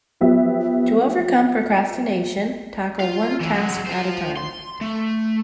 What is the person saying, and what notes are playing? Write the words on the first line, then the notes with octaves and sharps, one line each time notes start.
To overcome procrastination, tackle one task at a time.
F3 F#3 B3 G4 E5
F4 F5
E3
F#3 G#3
F4 C5
C6
A3